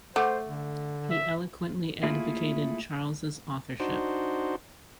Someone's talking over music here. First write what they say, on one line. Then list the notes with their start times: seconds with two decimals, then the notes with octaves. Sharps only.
He eloquently advocated Charles's authorship.
0.16 A3 C5 F#5 D6
0.48 D3
1.11 E5
2.03 A3 A#3 E4 F4 G#4
3.80 D4 D#4 F#4 C5